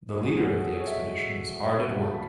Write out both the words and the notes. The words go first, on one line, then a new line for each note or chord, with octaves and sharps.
The leader of the expedition is hard at work.
E2 B2 F#3 G#4
G#4
F#4
F#4
A4
G#4
C#5
E5
D#5
E5
D#2 C#3 F#3 F#5
A5
B5